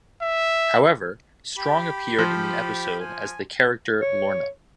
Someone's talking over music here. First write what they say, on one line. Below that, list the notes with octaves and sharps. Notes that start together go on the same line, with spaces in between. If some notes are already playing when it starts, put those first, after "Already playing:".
However, Strong appeared in an episode as the character Lorna.
E5
G4 B5
F3 C5
G#5
C#5